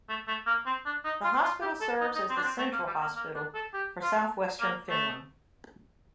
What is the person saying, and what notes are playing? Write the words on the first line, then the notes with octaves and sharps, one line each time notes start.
The hospital serves as the central hospital for southwestern Finland.
A3
A3
A#3
C4
D4
D#4
F4
F4
G4
A4
D#4
D#4
C4
D4
C4
A3
A#3
G3
A#3
A#3
D4
A4
G4
F4
A#3
A3